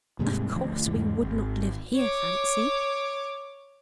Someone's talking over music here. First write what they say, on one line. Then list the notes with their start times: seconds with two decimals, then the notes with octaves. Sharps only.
Of course we would not live here, Fancy.
0.19 D#2 G#2 C3 G3
0.55 D2 F3
0.86 E2 G#2 C#3
1.22 G#1
1.96 C#5 D6